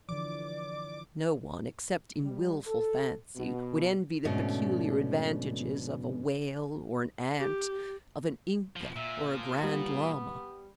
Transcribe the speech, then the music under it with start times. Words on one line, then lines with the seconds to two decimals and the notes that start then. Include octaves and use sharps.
No one, except in wilful fancy, would envy the peculiar advantages of a whale or an ant, of an Inca or a Grand Lama.
0.09 D3 E3 F3 D5 D6
2.22 G3
2.67 A4
3.35 B2
4.25 F2 G#2 B2 D3 A3 C#4
7.39 G4
8.76 B2 F3
8.96 A#2 E5
9.34 F3
9.63 G3 B3